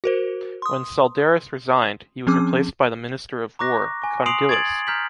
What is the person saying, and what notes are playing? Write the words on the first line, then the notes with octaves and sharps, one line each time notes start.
When Tsaldaris resigned, he was replaced by the Minister of War, Kondylis.
F#4 A#4 C5
C6 D#6
F3 C4 C#4 G#4 D6
A#5 C#6 D6 F#6 A#6
G#5 C#6
C6 D#6 C7 D7 F7 F#7
G#6 A6 D7 F#7
A#5 F6 G6 B6 F#7